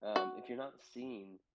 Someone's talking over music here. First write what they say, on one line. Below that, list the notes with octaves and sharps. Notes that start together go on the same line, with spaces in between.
Um, if you're not seeing
F#4